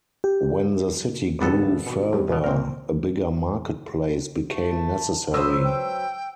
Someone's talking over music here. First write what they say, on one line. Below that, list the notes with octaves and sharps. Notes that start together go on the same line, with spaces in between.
When the city grew further, a bigger market place became necessary.
G4
G#1 C#2 G3 B3 A4
B2 C#7
E2 G2
C#2 B2
A#2 C4 A#4
A3
F#3 B4 C5 D#6 E6
G5